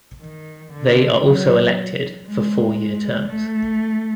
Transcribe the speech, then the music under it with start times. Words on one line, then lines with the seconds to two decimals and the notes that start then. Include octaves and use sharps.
They are also elected for four-year terms.
0.22 D#3
0.73 D3
1.25 F#3
2.27 G#3
3.30 A3